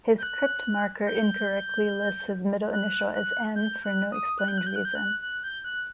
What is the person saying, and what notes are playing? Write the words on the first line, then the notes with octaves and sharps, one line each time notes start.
His crypt marker incorrectly lists his middle initial as "M" for no explained reason.
G6
F#6
G6
F#6
F#6
G6
F#6
D#6
F#6
G6
F#6
G6
F#6
G6
F#6
F#6
G6
F#6